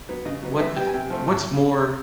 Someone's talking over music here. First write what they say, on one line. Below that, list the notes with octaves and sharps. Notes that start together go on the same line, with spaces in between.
what, uh, what's more
F#3 B3
C#3 D#5
F#3 B3
E3 E5
G3 B3 G5
G#5
C3 G5
F3 A3 C4
A2